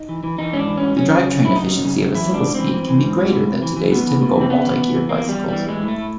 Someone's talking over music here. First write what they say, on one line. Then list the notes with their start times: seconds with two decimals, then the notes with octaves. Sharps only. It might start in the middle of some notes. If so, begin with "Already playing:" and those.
The drivetrain efficiency of a single-speed can be greater than today's typical multi-geared bicycles.
Already playing: D#4
0.09 E3
0.24 E3
0.38 E3 D#4
0.53 G#2 C#4
0.58 D4
0.67 E3
0.77 G#2 C#4
0.97 F#2 C#4
1.12 C#3
1.27 F#2
1.42 F#2 E4
1.56 F#2 D#4
1.71 F#2
1.85 C#3
2.00 F#2
2.15 E3 E4
2.30 G#2 D4
2.44 G#2
2.55 E3 C4
2.73 E3
2.89 E3
3.03 G#2
3.18 G#2
3.33 A2
3.47 A2
3.62 E3
3.76 E3
3.92 A2 B3
4.06 E3
4.21 A2
4.36 E3
4.41 C4
4.50 C#3 B3
4.66 E2
4.79 E2
4.95 E3
5.09 E2 A#3
5.24 E2 G3
5.38 E2
5.48 E3 G3
5.68 A2 G#3
5.83 A2
5.88 A3
5.98 A2